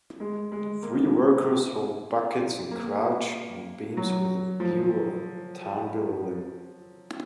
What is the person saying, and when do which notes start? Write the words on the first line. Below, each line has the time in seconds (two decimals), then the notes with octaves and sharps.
Three workers hold buckets and crouch on beams with a view of a town below them.
0.20 G#3
0.52 G#3
0.82 A#3
2.71 A#3
3.97 F#3
4.60 F3